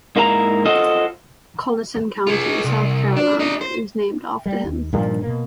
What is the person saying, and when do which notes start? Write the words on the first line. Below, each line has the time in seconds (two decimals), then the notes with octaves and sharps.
Colleton County, South Carolina, is named after him.
0.16 G#2 A#3 E4 G#4 A#5
0.65 F4 F#4 A4 C5 D#5
2.27 F4 G#4
2.64 C2
3.16 D4
3.39 D4 D#5
3.61 C5
4.46 G3
4.64 D#2
4.93 G2 A#2 D#3 F3
5.22 B2 A#3